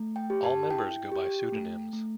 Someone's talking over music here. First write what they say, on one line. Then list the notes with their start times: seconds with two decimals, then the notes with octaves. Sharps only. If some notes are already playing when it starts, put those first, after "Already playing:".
All members go by pseudonyms.
Already playing: A3
0.16 G5
0.30 G4
0.44 A5
0.70 E4 G5
1.12 G4
1.52 A3
1.93 A3